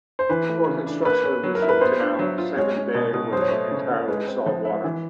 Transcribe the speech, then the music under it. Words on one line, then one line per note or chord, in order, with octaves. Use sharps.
Before construction of the Ship Canal, Salmon Bay was entirely salt water.
C5
E3 B4
A3
C#3
D4
A#3 B4
C#4
F#3
A#4
E4
B4
B3 C5
D4
F#3
F4
G#3 C#5
C#4
B2
B2
F#3 C5
C#5
A3 C5
C#3
C#3
G#3 B4
C4
F3
E4
E3